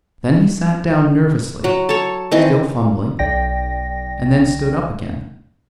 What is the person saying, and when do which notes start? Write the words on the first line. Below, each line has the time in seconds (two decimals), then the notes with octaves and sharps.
Then he sat down nervously, still fumbling, and then stood up again.
1.64 F#3
1.89 A4 C#5
2.32 D#3 E3 C4
3.19 B1 D5 G5 A#6